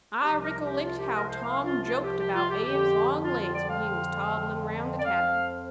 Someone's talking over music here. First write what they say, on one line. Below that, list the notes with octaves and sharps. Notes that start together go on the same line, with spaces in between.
I ricollect how Tom joked about Abe's long legs when he was toddlin' round the cabin.
C2 C3 F3 G4
A#4
G4
F4
G4
A#4
C5
F5
F4
F4
G4
G4
F4
G4
F2 D3 F3 G4
F4
F4
D5
F5
D5
F2 F3 F5